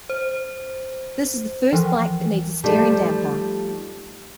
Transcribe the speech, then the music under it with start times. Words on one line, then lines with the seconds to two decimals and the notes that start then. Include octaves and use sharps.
This is the first bike that needs a steering damper.
0.09 C5
1.73 E3 F3
2.64 F3 G3 A3 D#4